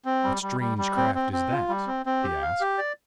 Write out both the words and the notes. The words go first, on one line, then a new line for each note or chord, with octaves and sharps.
"What strange craft is that?" he asked.
C4
G3
G3
G3
G3
C4
C4
C4
F4
G3
C4
C4
G4
F5
G4
D5